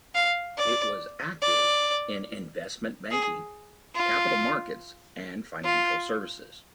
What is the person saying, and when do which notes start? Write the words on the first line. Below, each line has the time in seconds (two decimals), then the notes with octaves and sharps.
It was active in investment banking, capital markets and financial services.
0.15 F5
0.58 D5
1.42 D5
3.11 G#4
3.95 F4
5.64 F4